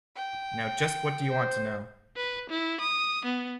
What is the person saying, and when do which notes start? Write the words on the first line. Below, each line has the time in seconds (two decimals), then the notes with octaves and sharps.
Now just what do you want to know.
0.16 G5
1.30 C5
2.17 B4
2.50 E4
2.81 D#6
3.26 B3